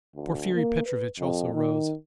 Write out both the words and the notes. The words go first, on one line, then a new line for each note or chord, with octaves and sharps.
Porfiry Petrovitch also rose.
D2
A#3
B4
F2
D#3